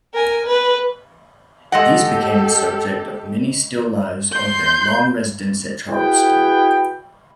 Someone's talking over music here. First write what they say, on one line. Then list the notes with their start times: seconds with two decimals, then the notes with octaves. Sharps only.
These became the subject of many still lives over their long residence at Charleston.
0.14 A#4 G#5
0.47 B4
1.72 G#3 G4 A4 D#5 F#5
4.33 C6 G6
5.90 E4 F#4 G#4 B4 G5